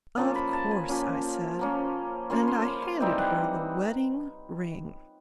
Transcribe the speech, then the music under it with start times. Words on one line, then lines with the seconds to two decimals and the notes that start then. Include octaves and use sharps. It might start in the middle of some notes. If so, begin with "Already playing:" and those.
"Of course," I said ... and I handed her the wedding-ring.
0.17 F3 A#3 C#4 A5
0.35 B5
0.53 A5
0.71 G#5
0.89 F3 A#3 C#4
1.59 F3 A#3 C#4
2.30 F3 A#3 C#4 C6
2.43 B5
2.48 C6
2.65 B5
2.82 C6
3.00 E3 G3 C4 D#4 G5
3.18 F#5